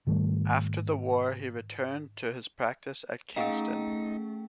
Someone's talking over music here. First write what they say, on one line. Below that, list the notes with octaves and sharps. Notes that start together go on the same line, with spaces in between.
After the war he returned to his practice at Kingston.
G#2 D#3 G3 A3
A3 C#4 D#4 G#4 D#5 F5 G5